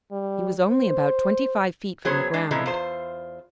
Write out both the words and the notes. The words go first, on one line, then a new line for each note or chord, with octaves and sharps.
He was only about twenty-five feet from the ground.
G3
C5
C#3 F#3 B3 G#4 C5 C#5
G#3 D4
A#2 E3 F3 G#3 A3 B3
E2 F4 C5